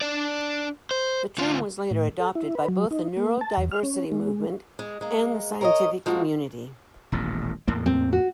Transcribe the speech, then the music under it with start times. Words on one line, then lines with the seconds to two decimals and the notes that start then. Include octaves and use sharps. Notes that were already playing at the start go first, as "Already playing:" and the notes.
The term was later adopted by both the neurodiversity movement and the scientific community.
0.01 D4 D5
0.91 C5
1.38 D2 F4
1.91 A2
2.20 A4
2.35 E4
2.55 B4
2.68 F#3
2.91 D#4
3.17 A#3
3.41 A5
3.58 E2
3.72 F6
3.83 C#4
4.12 G#3
4.79 G#3
5.01 G#3 A#3
5.61 A#4 C#5 D#5
6.06 F3 G#3 A#3 F#4
7.12 D#1 A1 B2
7.68 E2 A2 A#3
7.86 C4
8.12 F#4